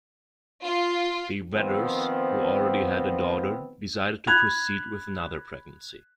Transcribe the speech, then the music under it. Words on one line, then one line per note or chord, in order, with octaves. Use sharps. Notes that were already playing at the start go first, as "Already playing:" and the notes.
The Vetters, who already had a daughter, decided to proceed with another pregnancy.
F4
D#3 F3 B3 C4
B5 F#6 G#6 F7